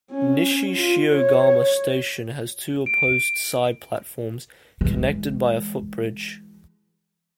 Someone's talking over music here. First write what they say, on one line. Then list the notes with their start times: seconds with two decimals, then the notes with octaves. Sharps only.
Nishi-Shiogama Station has two opposed side platforms connected by a footbridge.
0.11 C#4
0.75 F4
1.11 C#5
2.86 D7
4.81 E3 G#3